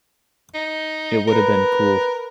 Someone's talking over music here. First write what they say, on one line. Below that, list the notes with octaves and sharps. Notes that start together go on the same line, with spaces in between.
It would have been cool.
D#4
A#4 B4